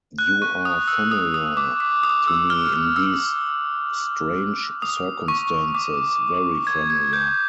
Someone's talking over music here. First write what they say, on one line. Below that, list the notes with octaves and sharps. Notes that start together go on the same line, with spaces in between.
You are familiar to me in these strange circumstances, very familiar.
F#6
C#6
D#6
E6
D#6
D#6
D6
D6
D#6
E6
F6
F6
E6
D#6
C#6
D6
G#6
G#6
G6